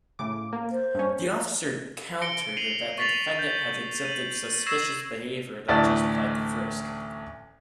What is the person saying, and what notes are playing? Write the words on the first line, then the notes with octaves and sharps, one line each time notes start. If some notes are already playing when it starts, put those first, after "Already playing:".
The officer countered that the defendant had exhibited suspicous behavior that justified the frisk.
A2 C#3 D6
A#3
C5
G2 C#4
A#6 C#7 D7 G7
C7 D#7 F7 F#7
C#6 A6 B6 C7 F7 F#7
G6 F7
D#7 F#7
C#6 E6 G#6 A#6 C7 E7
A1 D2 D5 A5